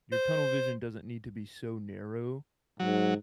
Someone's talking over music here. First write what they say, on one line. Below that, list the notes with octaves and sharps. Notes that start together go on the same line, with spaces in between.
Your tunnel vision doesn't need to be so narrow
C5
G#2 F#3